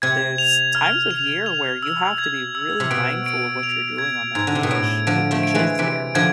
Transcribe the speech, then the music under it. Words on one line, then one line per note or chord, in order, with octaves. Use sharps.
there's times of year where you have to be really mindful of what you're doing on that beach the beaches there,
C3 G#6
F7
F6
F7
F7
E6
G#6
E6
C3
B2 D7
D7
F7
G#6
G#2 G#6
D3
C3
B2
A2 D7
D3 F3 D7
F3 A3
D7
E3 G#3
C3 E3 D7
D3 F3 G#6